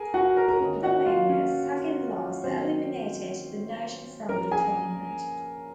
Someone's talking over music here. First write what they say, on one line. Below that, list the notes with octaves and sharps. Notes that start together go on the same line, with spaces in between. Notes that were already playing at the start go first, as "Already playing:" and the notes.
Romania's second loss eliminated the nation from the tournament.
Already playing: G#4 A#4 G#5
F#4 F#5
A#4 A#5
A#4 A#5
D#3 A#3 C#4
F#4 F#5
F4 F5
C#4 C#5
D#3 F#3 A#3 C4 C#4 C5
F3 A#3 C#4 A#4 A#5
G#4 G#5